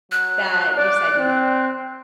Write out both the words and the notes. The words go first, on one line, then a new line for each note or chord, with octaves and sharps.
that you said you
F#3 F#6
D5
C4